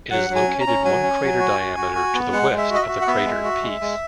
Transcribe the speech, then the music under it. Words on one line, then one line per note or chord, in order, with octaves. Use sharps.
It is located one crater diameter to the west of the crater Pease.
F#3 F#5
F#3
G#5
C#4
A#5
C#4
F#3 G#5
C#4
F#3
F#4
F#4
F#4
F#4
B3
G#3 F#5
G#3
E5
F#4 D#5
E5
F#4
F#5
B3 E5
G#3
F#4
G#3
G#3